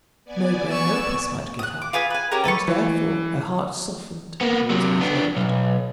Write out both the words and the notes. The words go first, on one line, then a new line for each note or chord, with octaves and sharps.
Mowbray and Mopus might give her, and therefore her heart softened towards her betrothed.
B3 D5 G#5
C#6 E6
D#6 F#6
D6
F4 B4 G#5 D#6
B4 G#5
C#4 G4 A#4
A4 B4 G#5 C#6
E3
A#3 B3
C3 F#3
B3 D4
B1